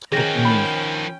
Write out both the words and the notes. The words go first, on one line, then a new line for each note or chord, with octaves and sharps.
took me
D#3 F3 C#4 F#4 G#4 A#4 G5 A#6
B5